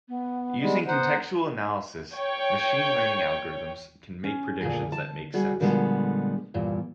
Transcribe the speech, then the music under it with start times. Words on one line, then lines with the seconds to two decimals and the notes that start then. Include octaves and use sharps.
Using contextual analysis, machine learning algorithms can make predictions that make sense.
0.09 B3
0.59 G3 G#3
0.88 B3 C5 F#5 A#5
2.13 C#5 G5
4.24 C#4
4.61 D2 A#2 D#3 G#4 G#5
4.92 A5
5.33 G3 F#4 G#4
5.60 A#2 D3 F3 G3 G#3 B3
6.54 E2 G2 A#2